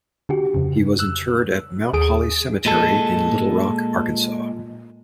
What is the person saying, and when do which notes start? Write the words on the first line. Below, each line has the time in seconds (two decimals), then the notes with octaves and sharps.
He was interred at Mount Holly Cemetery in Little Rock, Arkansas.
0.29 D3 F#4 G4
0.54 F2 C#3
0.99 E6 F#6
1.93 D#2 G#4 D#6 D7
2.65 A#2 G#3 A4